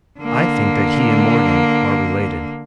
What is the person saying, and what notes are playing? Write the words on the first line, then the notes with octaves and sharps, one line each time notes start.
I think that he and Morgan are related.
D3 A#3